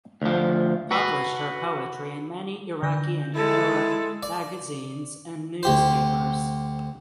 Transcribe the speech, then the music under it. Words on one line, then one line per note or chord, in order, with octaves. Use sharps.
Published her poetry in many Iraqi and Arab magazines and newspapers.
D2 F3
F#4 B4
D3 G6 A#6
G#3 E4 A4
D5
D2 G4 C5